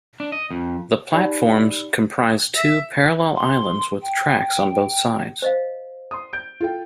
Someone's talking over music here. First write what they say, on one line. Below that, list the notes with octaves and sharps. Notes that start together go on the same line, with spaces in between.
The platforms comprise two parallel islands with tracks on both sides.
D4
D#5
F2
D#4 G4 D5 B5
E5
C6
G5
C5 D#5 F5
C6 D#6
G6 D7
F4 A4 G5